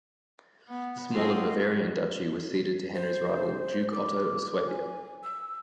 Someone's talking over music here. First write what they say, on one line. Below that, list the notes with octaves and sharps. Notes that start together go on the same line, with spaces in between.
The smaller Bavarian duchy was ceded to Henry's rival Duke Otto of Swabia.
B3
F#3 A3 C4 F4 D#5
C5
D6
G#5
E6